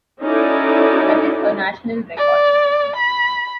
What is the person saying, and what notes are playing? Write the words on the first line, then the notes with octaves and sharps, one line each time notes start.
That is a national record.
C#4 D#4 E4 F#4 A4 D5
D5
B5